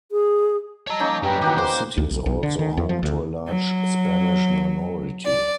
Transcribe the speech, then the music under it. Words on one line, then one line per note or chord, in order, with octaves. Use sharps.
The city is also home to a large Spanish minority.
G#4
C#5 D#5 A5 A#5
A#3 C#4 D#4
F#2 G3 B4 G5 A#5
D#3 E3 A#3 F#4 G4
C5
D2
B1
B1
D3
D#3
E2
F3
D2
F#3
D5